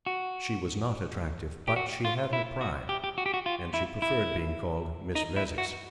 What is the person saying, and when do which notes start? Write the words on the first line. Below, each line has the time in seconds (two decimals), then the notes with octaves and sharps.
She was not attractive; but she had her pride, and she preferred being called "Miss Vezzis."
0.06 F#4
1.68 G4
1.76 F#4
2.05 F4
2.33 E4
2.61 F#4
2.89 G4
3.04 G4
3.18 F#4
3.26 G4
3.34 F#4
3.46 F4
3.74 E4
4.02 E4
5.15 D#4
5.36 E4
5.58 F#4